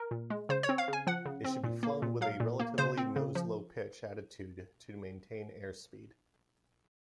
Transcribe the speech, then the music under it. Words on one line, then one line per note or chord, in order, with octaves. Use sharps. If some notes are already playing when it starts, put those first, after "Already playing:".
It should be flown with a relatively nose-low pitch attitude to maintain airspeed.
Already playing: A#4
A#2
G#3
C#3 C5
C#5
C4
F5
C#3
G#5
F3 F#5
C#3
C4
A#2
A#3
A#2
F#3 F5
A#2
A#3
C#3 C5
C4
C#3
F3